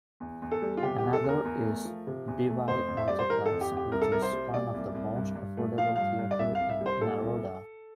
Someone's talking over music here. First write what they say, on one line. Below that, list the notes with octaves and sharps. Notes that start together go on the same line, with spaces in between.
Another is Devi multiplex which is one of the most affordable theater in Naroda.
E2
E2
A4
G3
F4
C3 G4
E2 G4
A4
E2 A#4
E2
A3
F3
C3
E2
A3
F2 C5
F2
E5
G3 D5
C5
E3 A#4
A4
F2
G4
F2
G4
C2 A#4
A4
C2 A#4
C5
G3
A#2 D5
C2
C2
G2
G2
A3
F3 F5
G2 F5
G2
D5
C2 E5
C2 F5
E5
G3 C5
A#2 A4
C2